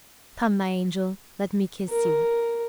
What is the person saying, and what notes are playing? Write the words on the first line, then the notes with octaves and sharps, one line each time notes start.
"Come, my angel; let me kiss you."
A#4